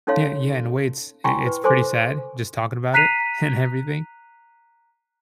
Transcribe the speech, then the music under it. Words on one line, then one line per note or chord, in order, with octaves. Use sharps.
Yeah yeah, in a way, it's i it's pretty sad just talking about it and everything.
C#4 D#4 A4 C#5 F5 C6
E4 G5 G#5 C6 C#6
B4
A4 C5 G#5 C6 D6
A#5 F#6 B6 C7 D#7 F7